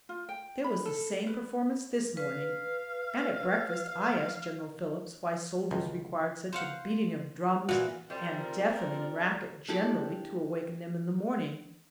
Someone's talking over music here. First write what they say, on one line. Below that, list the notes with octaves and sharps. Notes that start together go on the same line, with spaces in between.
There was the same performance this morning, and at breakfast I asked General Phillips why soldiers required such a beating of drums, and deafening racket generally, to awaken them in the morning.
F4
G5
B5
A4
B4
B4 F5
C#2 D#3 E3
C5 F5 F#5
A#2 E3 F#4
G3 C4 F4 A4 A#4 C5 D5
D4 E4 G4 A4